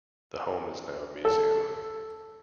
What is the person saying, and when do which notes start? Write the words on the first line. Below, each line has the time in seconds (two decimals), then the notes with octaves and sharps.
The home is now a museum.
1.25 A4